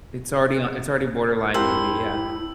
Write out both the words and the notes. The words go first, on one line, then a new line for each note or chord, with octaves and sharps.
It's already on it's already borderline, maybe, yeah.
F2 E4 G4 A#4 C5 E6